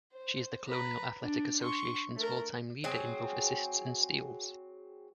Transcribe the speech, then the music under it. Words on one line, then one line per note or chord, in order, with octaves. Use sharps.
She is the Colonial Athletic Association's all-time leader in both assists and steals.
C5
B4 A#5
D4
C6 C#6
A3 A#4
F#3 C4 G#4